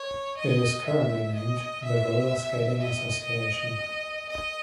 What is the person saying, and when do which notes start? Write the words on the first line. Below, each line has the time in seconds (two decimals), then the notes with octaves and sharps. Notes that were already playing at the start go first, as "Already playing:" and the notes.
It is currently named the Roller Skating Association.
Already playing: C#5
0.38 D#5
0.86 E5
1.35 D#5
1.85 E5
2.82 D#5
4.29 D#5